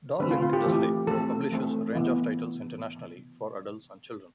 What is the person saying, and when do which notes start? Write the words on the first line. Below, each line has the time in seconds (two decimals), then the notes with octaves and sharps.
Dorling Kindersley publishes a range of titles internationally for adults and children.
0.20 D3 F3 A3 C4 B4
0.31 F4
0.42 F4
0.53 G4
0.63 E3 A3 C4 G4
1.07 F3 A3 C4 A4
1.52 E3 A3 C4
1.95 E3 B3